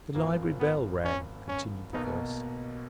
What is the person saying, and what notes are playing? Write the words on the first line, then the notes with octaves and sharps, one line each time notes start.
"The library bell rang," continued the voice.
G#1 F#2 F3 A#3
B3
C#4
C#4
B1 B2 A#3 D#4